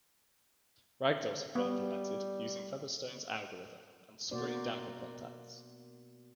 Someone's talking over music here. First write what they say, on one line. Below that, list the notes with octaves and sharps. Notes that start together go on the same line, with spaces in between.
Ragdolls have been implemented using Featherstone's algorithm and spring-damper contacts.
G3 B3
B2 A#3 F#4 C5 D5